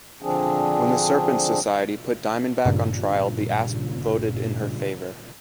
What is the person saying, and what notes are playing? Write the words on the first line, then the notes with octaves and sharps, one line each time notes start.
When the Serpent Society put Diamondback on trial, the Asp voted in her favor.
D3 F3 C4 D4 G#4
G#1 G2 A#2 C#3